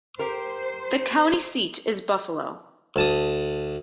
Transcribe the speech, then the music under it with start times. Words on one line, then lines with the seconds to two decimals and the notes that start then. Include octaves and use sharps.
The county seat is Buffalo.
0.19 G4 A#4 C5
2.96 D2 A5 D#6